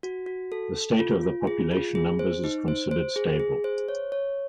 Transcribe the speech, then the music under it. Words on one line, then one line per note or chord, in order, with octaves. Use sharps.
The state of the population numbers is considered stable.
F#4
F#4
A4
A4
F4
F4
G#4
F4
G#4
C5
D#4
C5
C5
G#4
G#4
C5
C#5
C#5